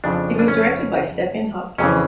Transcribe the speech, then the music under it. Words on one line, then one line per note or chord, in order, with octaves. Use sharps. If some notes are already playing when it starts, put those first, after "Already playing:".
It was directed by Stephen Hopkins.
F2 C#3 F3 D4
D4
C#4
F2 C#3 E3 C#4